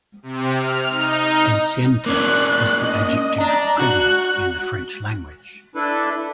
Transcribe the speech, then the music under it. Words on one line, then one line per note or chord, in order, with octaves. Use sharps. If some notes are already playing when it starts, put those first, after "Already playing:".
Enceinte is the adjective 'pregnant' in the French language.
C3
F6
D#4
A#3 C#4 D4 F#6
D#5
D4 A#5
F#4 F#6
D4 E4 A4 B4